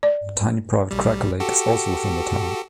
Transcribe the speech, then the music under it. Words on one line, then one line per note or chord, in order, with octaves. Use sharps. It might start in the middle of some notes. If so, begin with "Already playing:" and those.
The tiny private Cracker Lake is also within the town.
D5
B1 G3
F#4 G4 A4